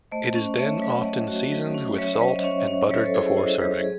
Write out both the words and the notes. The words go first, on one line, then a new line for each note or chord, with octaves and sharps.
It is then often seasoned with salt and buttered before serving.
A3 C5 D#5
C#4
A3 C#5 E5
F#3
A3 D#5 F#5
F#4
F#3
C#4
F#3 C#5 E5
C5 D#5
F#3
D#5 F#5
C#4 C#5 E5
C#4
F#3 C#5
C5
A4 C#5
E4 G#4 C5
E4 C5 D#5
F#3
G#4